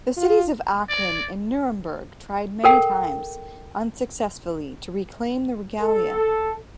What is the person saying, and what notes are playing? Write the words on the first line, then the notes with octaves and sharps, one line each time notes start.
The cities of Aachen and Nuremberg tried many times, unsuccessfully, to reclaim the regalia.
F4
D5
A4 A#4 G5
A4